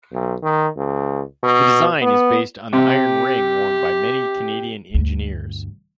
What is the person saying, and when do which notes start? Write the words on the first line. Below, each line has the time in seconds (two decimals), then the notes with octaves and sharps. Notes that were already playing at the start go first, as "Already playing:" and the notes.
The design is based on the iron ring worn by many Canadian engineers.
0.13 B1
0.43 D#3
0.77 C#2
1.43 B2
2.02 B3
2.73 C3 G4
4.94 D2 G2